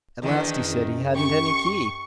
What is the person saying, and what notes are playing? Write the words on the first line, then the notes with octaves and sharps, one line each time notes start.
At last he said he hadn't any key.
E2 D#3 E3 D4
F#2
G4 C#6